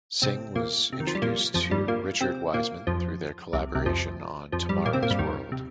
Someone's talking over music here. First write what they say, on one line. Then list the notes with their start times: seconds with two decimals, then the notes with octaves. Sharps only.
Singh was introduced to Richard Wiseman through their collaboration on"Tomorrow's World".
0.22 C3 C4
0.55 A#2 A#3
0.92 C3
1.00 D#3
1.07 F3
1.15 G3
1.22 A#2 A#3
1.54 F2 F3
1.71 G2 G3
1.88 A#2 A#3
2.21 C3 C4
2.54 A#2 A#3
2.87 F2 F3
3.53 C2 C3
3.75 C2 C3
3.86 F2 F3
4.52 F2 F3
4.69 G2 G3
4.85 A#2 A#3
4.93 C3 C4
5.02 A#2 A#3
5.11 G2 G3
5.19 D#2 D#3
5.52 C3